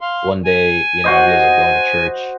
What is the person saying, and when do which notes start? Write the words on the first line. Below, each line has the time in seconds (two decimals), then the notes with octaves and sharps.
one day, you know, he was, like, going to church
0.01 F5 C6
0.45 G#5
1.04 F#4 C5 D#5